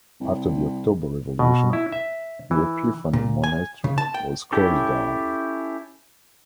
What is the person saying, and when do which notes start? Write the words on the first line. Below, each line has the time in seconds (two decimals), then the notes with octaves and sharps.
After the October Revolution, the Epiphany monastery was closed down.
0.21 C2
1.39 B2
1.73 E4
1.92 E5
2.51 E3
3.13 A#2
3.44 G#5
3.84 C#3
3.98 A5
4.14 G5
4.53 C#4 E4 G4 A4